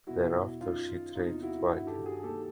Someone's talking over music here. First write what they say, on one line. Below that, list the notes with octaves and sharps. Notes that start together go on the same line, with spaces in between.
Thereafter she traded widely.
E2 B2 E4 F#4
F#2 D#3 D#4 F4
E2 C3 E3 D#4 F4
E4 F#4
G2 D#3 E4 F#4
G4 A4
F#4 G#4
D#2 D#3 G4 A4